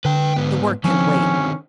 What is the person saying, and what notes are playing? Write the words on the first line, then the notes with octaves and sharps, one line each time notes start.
The work can wait.
D3 B4 G5
G#2 B3
D3 D#3 F3 C4 C#4